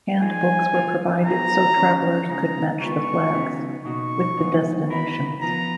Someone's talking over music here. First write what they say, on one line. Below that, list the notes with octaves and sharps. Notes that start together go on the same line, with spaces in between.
Handbooks were provided so travelers could match the flags with the destinations.
F3 A#3 D#4 G#4 G#5
F3 A#3 F4
F#3 B3 F4 G#4 B4 A#5
D#3 A#3 C#4
C#3 G#3 D#4 A#5
G#3 B3 F4 B4 C#6
C#3 F#3 B3 D#4
B2 A#3 D#4 F#4 C#6
F3 G#3 B3 D#4
F#3 B3 D#4 A#4 B5
F3 B3 F4 A#5